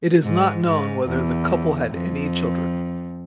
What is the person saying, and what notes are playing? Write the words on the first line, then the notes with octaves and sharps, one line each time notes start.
It is not known whether the couple had any children.
G#2
G#2
E2
F2